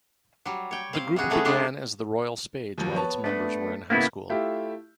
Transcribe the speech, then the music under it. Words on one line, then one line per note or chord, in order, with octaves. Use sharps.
The group began as The Royal Spades while its members were in high school.
F#3 G3
C#5 G5
C4 F5
C3 G3 F#4 G#4
F#3 A3 B3 C#4 G#4
C#3 G#3 D4 G4 C5
D#2 F3 F#3
B3 C#5 A5
A3 B3 D4
A2 C#3 A#3 B3 E4
A3 E4 F4 G4 E5